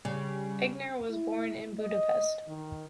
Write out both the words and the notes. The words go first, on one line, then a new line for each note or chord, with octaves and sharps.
Eigner was born in Budapest.
C#3 G3
E4
D#5
D#3